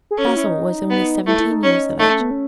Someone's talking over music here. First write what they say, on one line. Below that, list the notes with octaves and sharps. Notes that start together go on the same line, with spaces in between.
Bazil was only seventeen years of age.
G#4
C#4 A4
F#4
E4
D#4
B3
A3 E4
E4
D#4
C#4
A3 D#4
C#4
B3
C#4